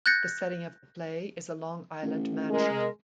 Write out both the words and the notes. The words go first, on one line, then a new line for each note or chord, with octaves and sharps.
The setting of the play is a Long Island mansion.
F#6 G6 A6 A#6 C#7
A1
G#3 A#4 D#5